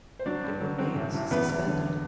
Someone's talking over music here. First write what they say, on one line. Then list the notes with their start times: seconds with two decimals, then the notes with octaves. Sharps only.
It remains suspended.
0.19 C5
0.26 F#3 D4 D5
0.44 G2
0.61 F#3
0.78 F#3 C4 C5
0.95 A1
1.14 A1
1.31 E2 B3 B4
1.49 E2
1.67 D3